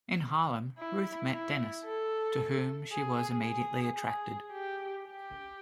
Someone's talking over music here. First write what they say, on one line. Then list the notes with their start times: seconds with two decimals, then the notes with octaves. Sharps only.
In Harlem, Ruth met Dennis, to whom she was immediately attracted.
0.79 E4
1.32 E4
1.85 A4
2.92 G#4
3.46 G#4
3.99 G#4
4.52 G4
5.05 G4